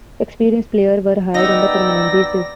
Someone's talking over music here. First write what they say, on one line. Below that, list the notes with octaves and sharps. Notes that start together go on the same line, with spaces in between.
Experienced players were hired on a permanent basis.
B3 D#4 D5 G5 E6 A#6